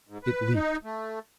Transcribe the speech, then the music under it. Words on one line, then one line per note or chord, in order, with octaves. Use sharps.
It leaped.
G#2
B4
D#4
A3